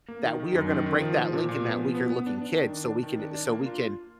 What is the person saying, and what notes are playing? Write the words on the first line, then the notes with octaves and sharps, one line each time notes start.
that we are gonna break that link in that weaker looking kid so we can so we can
A#3
D#3
D#3
F#2
D#3
D#3
F3
F3
A#2
A#2
B3
F3
B3
B3
D4
D4
D#3
D4
D4
D#3
D4
D4
A#3
F4